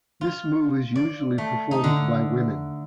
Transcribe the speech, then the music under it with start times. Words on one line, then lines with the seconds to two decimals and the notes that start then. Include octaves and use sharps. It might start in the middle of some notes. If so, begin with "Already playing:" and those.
This move is usually performed by women.
0.21 F4
0.96 D5
1.38 A3
1.71 D#4
1.84 D3